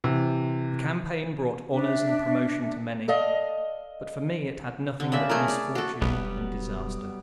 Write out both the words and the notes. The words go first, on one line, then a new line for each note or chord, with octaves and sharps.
The campaign brought honours and promotion to many, but for me it had nothing but misfortune and disaster.
C3 E3
D4 E5
A4 D5 D#5 F5
D3
C#3 D5 E5
A3 G#4 A#4
D5
F#4 A4
E1 B1 F#3 G3 B3